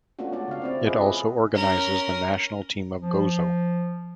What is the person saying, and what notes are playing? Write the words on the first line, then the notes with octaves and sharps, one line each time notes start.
It also organises the national team of Gozo.
A3 B3 C#4 D4 F4 F#4
G#3 D4 F#4 C#5 D5
C#3 F5
C4 E4 D5
C#4 F4 G#4 B4 D#5
G#4
C#4 A#4
F3